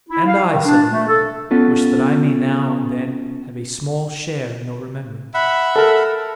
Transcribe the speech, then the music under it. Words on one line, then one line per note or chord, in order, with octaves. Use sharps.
"And I," said Leander, "wish that I may now and then have a small share in your remembrance."
E4
F5
D#3
D4
A3
A4
B3 C#4 F4 A4
E5 F#5 B5
A4 A#4